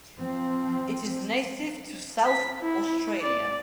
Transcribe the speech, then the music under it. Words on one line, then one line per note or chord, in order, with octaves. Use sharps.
It is native to South Australia.
F3 C4
B6
E4
D5